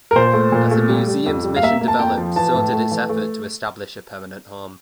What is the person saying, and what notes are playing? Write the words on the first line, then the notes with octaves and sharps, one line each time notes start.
As the museum's mission developed, so did its effort to establish a permanent home.
A#4
A#2 C5
A3
A#2
A3
G3
G3
F2
G3
F5
A#3 E5
A#3
A5
F2 G5
F3
E3 A5
A2
A3
E3
A3